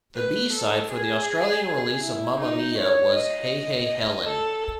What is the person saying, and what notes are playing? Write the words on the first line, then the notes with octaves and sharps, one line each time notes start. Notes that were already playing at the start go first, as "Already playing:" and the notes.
The B-side for the Australian release of "Mamma Mia" was "Hey, Hey Helen".
B4
A4
G#4
E4
D#4
C#5
D#5
D#5
A4